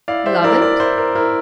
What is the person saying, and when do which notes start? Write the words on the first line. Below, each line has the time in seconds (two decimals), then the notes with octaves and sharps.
"Love it?"
0.08 E4 D5 F5
0.26 C5 E5
0.44 E4 A#4 D5
0.62 A#4 D5
0.80 E4 C5
0.98 A#4
1.15 E4 A#4